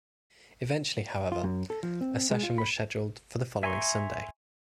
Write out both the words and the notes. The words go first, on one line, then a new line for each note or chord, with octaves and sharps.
Eventually, however, a session was scheduled for the following Sunday.
F4
F#2
A4
F3
C4
G#3
F4
B5
E5 G#5 A#5 C6 C#6